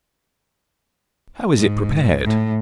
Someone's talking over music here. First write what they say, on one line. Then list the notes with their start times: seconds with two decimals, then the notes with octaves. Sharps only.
How is it prepared?
1.56 G#2
2.25 A2